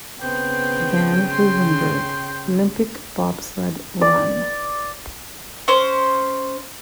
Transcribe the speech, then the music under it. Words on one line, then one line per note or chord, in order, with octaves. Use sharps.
Van Hoevenberg Olympic Bobsled Run.
C#3 B3 C4 G5
C6
D5
C#4 C5